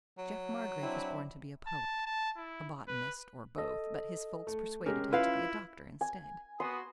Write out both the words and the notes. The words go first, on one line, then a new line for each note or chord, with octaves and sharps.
Jeff Margrave was born to be a poet, a botanist--or both--but his folks persuaded him to be a doctor instead.
F#3
C4 D4 E4
A5
A5
E4
B4
A4 D#5
A3
G#3 C#4 G4 A#4
E4 F4 B4 F5
G#5
B3 F#4 C6 D#6